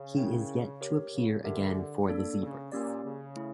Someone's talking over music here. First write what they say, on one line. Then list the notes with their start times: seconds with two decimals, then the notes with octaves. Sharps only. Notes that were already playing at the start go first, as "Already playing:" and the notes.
He is yet to appear again for the Zebras.
Already playing: C#3
0.17 C#4 E4 A#4 C#5 G5
0.81 G4 A#4 C#5
1.13 C#3
1.44 D3 G4 A#4 E5
2.09 A#3 D4 A4 D5
2.40 C#3
2.72 A#2 A#3 C#4 G4 D5
3.04 C#3
3.36 A3 E4